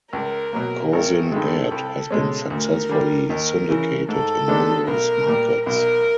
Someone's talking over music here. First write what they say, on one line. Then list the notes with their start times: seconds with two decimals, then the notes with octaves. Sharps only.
Couzin Ed has been successfully syndicated in numerous markets.
0.13 C#2 A#4
0.53 B2 F#3 A#3
0.92 G#1 A#4
1.32 G2 D#3 G#3 A4
1.71 C2
2.10 B2 G#3 C#4
2.50 D2 A#4
2.89 D3 G3
3.30 D#2 A#4
3.69 C#3 E3
4.08 G#2 A4
4.48 D#3 G#3 B3 D4
4.87 B1 A#4
5.27 A#2 G3 A#3
5.66 B1 A#4